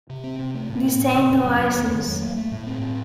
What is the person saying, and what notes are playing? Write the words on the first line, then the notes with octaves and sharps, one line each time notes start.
This ain't a licence.
C3
C4
C3
A3
A2
C4
A2
C3
F2
F#3
F2
D#3
F2
F#3
A#3
A3
A2
C4
A2